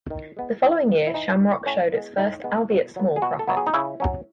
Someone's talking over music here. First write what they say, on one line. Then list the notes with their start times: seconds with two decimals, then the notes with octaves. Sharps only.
The following year Shamrock showed its first, albeit small, profit.
0.10 D#3
0.37 G#3 B3
0.62 E3
0.88 B3
1.07 E4
1.14 E3 D#4
1.40 B3
1.66 A2 C#4
1.92 G#3 B3
2.18 A2 D#4
2.44 G#3 B3
2.70 B2
2.96 F#3 B3
3.16 G#4
3.22 B2 F#4
3.39 A4
3.47 F#3 B3
3.57 G#4
3.67 D#4
3.74 C#3 E4
4.00 F#3 C#4